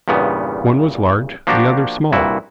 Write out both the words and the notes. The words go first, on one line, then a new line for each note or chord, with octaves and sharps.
One was large, the other small.
E2 G2 A#2 C#3 B3
F3 A#3 D4 F#4 G4
C2 G2 A#2 E4 F#4